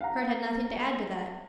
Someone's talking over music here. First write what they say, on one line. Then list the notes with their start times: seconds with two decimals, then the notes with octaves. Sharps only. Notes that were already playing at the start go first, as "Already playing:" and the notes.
Kurt had nothing to add to that.
0.01 F5 F#5 A#5